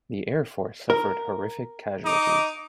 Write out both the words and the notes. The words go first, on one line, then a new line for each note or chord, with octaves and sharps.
The air force suffered horrific casualties.
A#4
D#4 D#5 D6